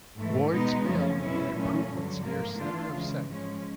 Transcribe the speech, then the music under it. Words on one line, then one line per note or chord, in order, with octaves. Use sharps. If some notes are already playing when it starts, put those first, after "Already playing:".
Wards Mill and improvements near center of Sec.
G#2 E3 A3
B2 G#3 B3 D#4
F#2 C#3 F3 A3 C#4
B2 G#3 C#4 E4
A#2 F#3 A3 C#4
G2 D3 F#3
G#2 F3 A#3
E3 A3 D4 F4
C#3 E3 G#3
G#2 F3 G#3 C#4